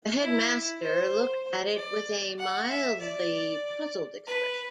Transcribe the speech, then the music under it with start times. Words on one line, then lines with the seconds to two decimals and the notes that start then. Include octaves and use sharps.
The headmaster looked at it with a mildly puzzled expression.
0.20 E4
0.83 C5
1.75 D5
2.39 F#5
2.70 E5
3.01 D5
4.27 B4